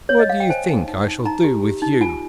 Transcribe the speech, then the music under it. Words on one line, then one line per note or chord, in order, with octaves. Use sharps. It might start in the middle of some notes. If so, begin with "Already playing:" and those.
What do you think I shall do with you?'
C#5
D#5
F5
G5
C5 G#5
D#4
D#4
D#4
D#4 A#5
G4
G4
D#4
F4 G#5